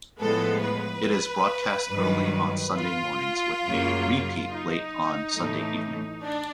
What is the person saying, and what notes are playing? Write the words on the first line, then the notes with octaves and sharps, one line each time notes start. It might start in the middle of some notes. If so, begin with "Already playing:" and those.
It is broadcast early on Sunday mornings with a repeat late on Sunday evening.
A2 F3 G#3 B3 A4
B4
G2 D#3 F#3
F4
F#2 C#3 F#3 A#3
D#4
A2 E3 A3
D4